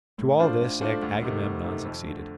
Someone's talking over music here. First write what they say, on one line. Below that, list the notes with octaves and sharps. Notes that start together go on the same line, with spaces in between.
To all this Agamemnon succeeded.
A2
A3 D4 F4 C5
A2
A3 D4 F4 C5
D2
C3 D#3 A3
D2
C3 D#3 A3
F2
D3 A3